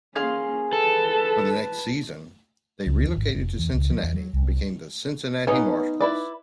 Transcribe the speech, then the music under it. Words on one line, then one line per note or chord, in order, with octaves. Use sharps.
For the next season they relocated to Cincinnati and became the Cincinnati Marshals.
A#3 C#4 G#4 F5 C6
A4 B4 A5
C#2
E2
G#1
F1
E2
C#2
F3
E2
F#3
C2
B3 C#4 D#4
E4 B4 D5